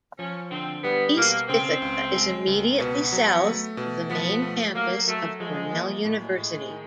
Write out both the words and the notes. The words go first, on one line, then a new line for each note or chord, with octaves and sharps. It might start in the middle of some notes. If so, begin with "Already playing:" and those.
East Ithaca is immediately south of the main campus of Cornell University.
F3 C#4
D3 C4
G3 B3
B2 A#3
C#3 C4
C#2
G#3
C#2
B2 B3
F#3
A3
B2
F3 B3
A3
F#3 A#3
F#3 A3
F3 G#3
A#3
A2 G#3
A2
D#3